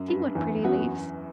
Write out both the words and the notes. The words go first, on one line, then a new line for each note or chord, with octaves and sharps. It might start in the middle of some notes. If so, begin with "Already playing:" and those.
"See what pretty leaves."
Already playing: F#2
G2
E2
F#2 B3 F#4 B4